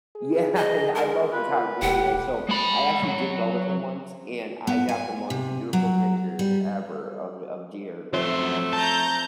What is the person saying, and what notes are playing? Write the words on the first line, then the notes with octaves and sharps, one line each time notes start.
Yeah, yeah, I love photography anyway. So, I actually did go with him once, and I got the most beautiful pictures ever of of deer,
G#4
D#5
G#3 A#4
F4 B4
E1 G4 F#5
G#3 B5
F#3
B3
G#5
C3
F#3
G3
F#2 F3 A3 C4 C6
A5 A#5 G6